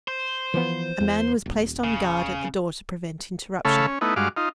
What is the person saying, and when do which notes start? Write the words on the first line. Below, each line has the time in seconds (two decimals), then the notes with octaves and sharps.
A man was placed on guard at the door to prevent interruption.
0.08 C5
0.54 E3 F3 B3
1.00 E2
1.46 D#1
1.84 C#3
3.65 C#3 A3 A4 C#5 F5 B5
3.87 C#4
4.01 A3 B3 D#4 E4
4.16 G2 G#3 F#4 F5 D6
4.37 D#4 F4